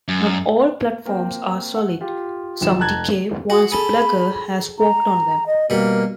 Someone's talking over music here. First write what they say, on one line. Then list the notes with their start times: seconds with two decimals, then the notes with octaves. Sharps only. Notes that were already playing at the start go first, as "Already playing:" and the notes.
Not all platforms are solid, some decay once Blagger has walked on them.
0.08 F#2
1.06 A#3 C4 G5
1.76 F#5
2.01 F4 G4
2.61 A#1 G2 D#3 F3 E7
2.79 F1 A5 A#5 F#6 G#6 A6
3.50 F#4 G#4
3.72 G#4 A4 B5
4.79 A#5
5.46 D#5
5.70 B2 G3 A#3